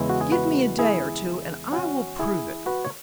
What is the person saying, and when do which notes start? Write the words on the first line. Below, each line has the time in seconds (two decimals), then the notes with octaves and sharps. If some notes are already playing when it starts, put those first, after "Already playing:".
Give me a day or two and I will prove it.
Already playing: E2 C#3 E3 G#3 E4
0.09 F#4
0.21 G#4
0.32 F#4 B4
0.79 E4 G#4
1.72 C#4 F#4
2.19 E4 G#4
2.66 F#4 B4
2.85 C#5